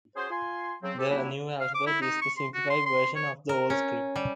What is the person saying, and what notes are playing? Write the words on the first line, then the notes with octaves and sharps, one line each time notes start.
The new alphabet is a simplified version of the old script.
C#4 F#4 G#4 C5
F4 G#5 C6
C#3 F#3 C4
C4 G4 A4
F#3 G3 A#3 D4 E4
F5
D6
E4
D#4
C#6
C6
F#4
C6
C6
C#5
A#4
C#4
G3